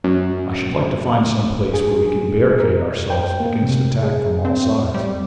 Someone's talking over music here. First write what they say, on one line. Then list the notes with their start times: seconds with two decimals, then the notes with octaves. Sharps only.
I should like to find some place where we can barricade ourselves against attack from all sides.
0.04 F#2
1.74 G#4
2.60 A#4
3.10 G5
3.40 A#3
3.62 C3
4.03 G#4
4.45 C4
4.94 G3